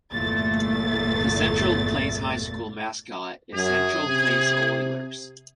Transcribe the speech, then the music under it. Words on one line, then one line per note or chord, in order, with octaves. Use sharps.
The Central Plains High School mascot is Central Plains Oilers.
G1 E2 A#2 A3 A6
F#2 G#4
C3